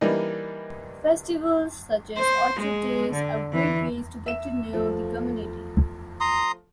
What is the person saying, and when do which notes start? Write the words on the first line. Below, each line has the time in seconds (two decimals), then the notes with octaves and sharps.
Festivals such as Orchard Days are great ways to get to know the community.
0.01 E3 G3 A#3 D4 D#4
2.18 C5
2.59 G#3
3.12 D3
3.53 E3
4.26 E5 E7
4.73 F3 A3
6.21 A#5 C6 D#6